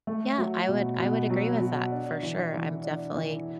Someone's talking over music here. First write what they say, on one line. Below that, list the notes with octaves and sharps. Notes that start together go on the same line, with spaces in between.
Yeah, I would I would agree with that, for sure, I'm definitely
A3
F#3
B2
B2
F#3
F#3
D4
E3
E3
D4
E3